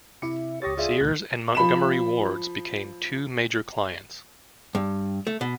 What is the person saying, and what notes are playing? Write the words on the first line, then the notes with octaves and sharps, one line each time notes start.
Sears and Montgomery Wards became two major clients.
C3 E4 E5 D6 C#7
C#2 G4 C#5 C#6 D#6 A6 A#6
F4 G#4 D5 E5
C#2 A#2 F#6
F3 B5 E7
G2
A3
B2